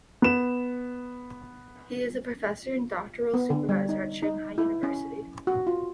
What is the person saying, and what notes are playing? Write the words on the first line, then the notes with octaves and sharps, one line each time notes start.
He is a professor and doctoral supervisor at Shanghai University.
B3 E7
B3
D3
G3
D#4
D#4
E4
C#4
F#4
F4